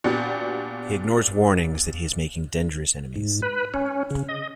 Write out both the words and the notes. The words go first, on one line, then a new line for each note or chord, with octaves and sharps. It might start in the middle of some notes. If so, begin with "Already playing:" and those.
He ignores warnings that he is making dangerous enemies.
A#2 B3 D4 F#4 G4
G#2
B4
C#4
C#3
D#5